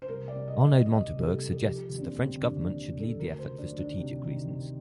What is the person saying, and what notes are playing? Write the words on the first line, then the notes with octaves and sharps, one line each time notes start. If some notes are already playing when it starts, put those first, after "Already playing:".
Arnaud Montebourg suggests the French government should lead the effort for strategic reasons.
C5
C2 A#4
D5
C2
D#5
C2
D#5
C2 D#5
C2
G4
A4
C2
A4
F3 G4
D#2
D4
C4
D3
C4
D#2 D4
D4
D#2
D3
A4
D2 A#4
C5
D2
D4
D#3
D4
C3
D#3
C3